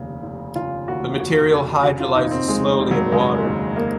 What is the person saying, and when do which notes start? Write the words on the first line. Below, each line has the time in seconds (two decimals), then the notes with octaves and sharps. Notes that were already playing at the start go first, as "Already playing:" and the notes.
The material hydrolyzes slowly in water.
Already playing: F1 D#2 C#3
0.23 F1
0.55 C#3 F4
0.88 D#2 F#4
1.20 F1 F#4
1.52 F1
1.83 C#3 F#4
2.00 F4
2.15 D#2 D#4
2.31 C4
2.48 F1 G#3
2.80 F1
2.91 F#3
3.12 C#3 G#3
3.44 D#2
3.76 A#3